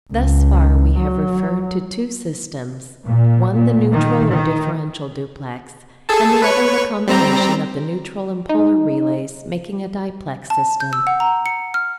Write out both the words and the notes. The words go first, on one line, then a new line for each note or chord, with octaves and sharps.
Thus far we have referred to two systems, one the neutral or differential duplex, and the other the combination of the neutral and polar relays, making a diplex system.
C#2
F#3
A#2
A#2
D#3
D#3
G#4 A4 A5
B4 C#5 C#6
G3 C4 A#5
D#4
A5
G6
E6
F#5
A#5
C#7
F6